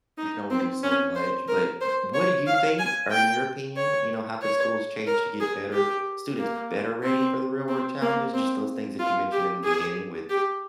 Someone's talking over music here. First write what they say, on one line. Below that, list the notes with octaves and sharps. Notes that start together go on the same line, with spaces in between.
you can only do so much, but w what do you think or in your opinion, you know, how could schools change to get better students better ready for the real work challenges? Just those things that you mentioned in the beginning with
D#4
C4
C#4
C5
A#4
C5
C#5
F5
G#5
G5
C#5
C#5
A#4
G#4
G4
A#3
C4
C4
A#3
C4
F4
G4
G#4
G4